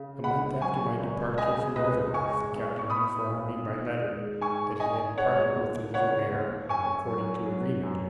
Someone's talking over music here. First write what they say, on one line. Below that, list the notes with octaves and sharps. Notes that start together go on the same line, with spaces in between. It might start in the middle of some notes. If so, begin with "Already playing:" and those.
A month after my departure from Rivermouth the Captain informed me by letter that he had parted with the little mare, according to agreement.
Already playing: C#3
C#2 F#5 B5
F#3 G#5 C#6
C#2
C#3 D#5 G#5
C#2 B4 D#5
G#3 G#5 C#6
B1
C#6
B2 B5 D#6
B1
D#3
G#3
G#2 G#5 C#6
G#1 D#5 G#5
G#3 C#5 F#5
D#2
C#3 C#5 F#5
D#2
F#2 G#5 C#6
F#3
F#3
F#2